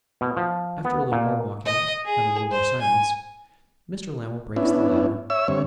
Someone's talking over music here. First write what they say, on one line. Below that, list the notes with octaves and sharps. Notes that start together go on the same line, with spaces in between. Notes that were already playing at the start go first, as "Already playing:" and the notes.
After a little more walking and a little more silence, Mr Lammle breaks the latter.
B2
F3
B3
A#2
D#5
G#4
C5
G#5
B3 C#4 D4 E4
C#5 E5 E6
G2 D3 C4 C#5